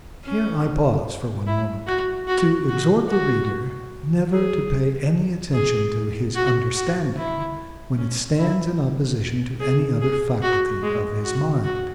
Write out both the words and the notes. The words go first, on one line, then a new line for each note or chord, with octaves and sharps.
Here I pause for one moment, to exhort the reader never to pay any attention to his understanding when it stands in opposition to any other faculty of his mind.
C#4
E4
F#4
F#4
F#4
F#4
G#4
G#4
F#4
F#4
E4
C#4
E4
G#4
G#4
F#4
G#3
F#4
F#4